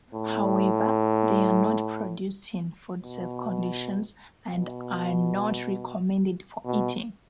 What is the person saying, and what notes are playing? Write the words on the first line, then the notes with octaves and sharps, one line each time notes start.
However, they are not produced in food-safe conditions, and are not recommended for eating.
A2
B2
B2
B2